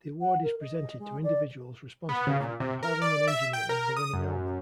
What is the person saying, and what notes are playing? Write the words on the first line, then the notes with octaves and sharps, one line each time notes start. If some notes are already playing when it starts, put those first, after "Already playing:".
The award is presented to individuals responsible for compiling and engineering the winning album.
F#5
A#4
D#5
G#3
D5
B3
C#3
A#2
C3
A#4
D5
E5
G5
A#4
D#6
F#2